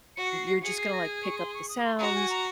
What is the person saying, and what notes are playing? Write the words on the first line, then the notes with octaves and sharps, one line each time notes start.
you're just gonna, like, pick up the sounds,
F#4 C#7
C7
C7
G#4 C#7
C7
A#6
G#6
C#6
C6
C#6
D#6
C6
C6
F#4 A#5
G#5
A#5